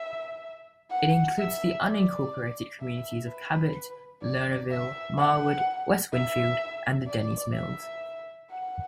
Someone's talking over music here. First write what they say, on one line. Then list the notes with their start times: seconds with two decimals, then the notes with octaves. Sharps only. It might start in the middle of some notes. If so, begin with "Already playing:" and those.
It includes the unincorporated communities of Cabot, Lernerville, Marwood, West Winfield, and Dennys Mills.
Already playing: E5
0.91 F#5
1.38 E5
1.85 D5
2.80 E5
3.27 B4
4.22 D5
4.71 E5
5.17 F#5
6.13 E5
7.07 D5
7.54 E5
8.50 F#5